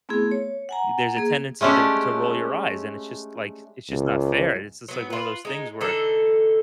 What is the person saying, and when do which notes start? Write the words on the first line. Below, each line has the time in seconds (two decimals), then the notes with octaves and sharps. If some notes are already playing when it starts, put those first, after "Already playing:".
there's a tendency to to roll your eyes, and it's just, like it's just not fair. It is just like one of those things where
0.09 A3 B3 C4 E4 G#4
0.31 C#5
0.69 F#5 G#5 A#5
1.17 A#3 G#4
1.61 G#3 A3 C#4 D4 G4
3.89 C#2
4.88 F#3 B3
5.10 F4 B4
5.45 G#3 D#4
5.81 D3 E3 D#4 A4